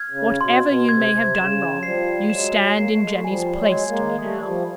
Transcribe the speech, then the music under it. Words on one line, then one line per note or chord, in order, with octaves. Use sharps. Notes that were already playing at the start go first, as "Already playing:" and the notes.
Whatever you may have done wrong, you stand in Jenny's place to me now.
Already playing: F6 G#6
C#3
B2 C6
B2
C3 G#6
C3
D3
C#3 E7
F#3
F3 G3 C7
F#3 G#3 E7
A#3 C7
A3
G#3
G3 A3
F3 G3 G#5
F#3 G#3
G#6
G#3 A#3
G3 A3 D#6
F3 G3